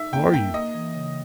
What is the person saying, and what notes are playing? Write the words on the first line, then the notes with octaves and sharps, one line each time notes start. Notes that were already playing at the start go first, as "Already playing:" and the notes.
"Who are you?"
Already playing: D#4 E5
A#3 G5
A#4 G5
A#3 D#5
E3
C#3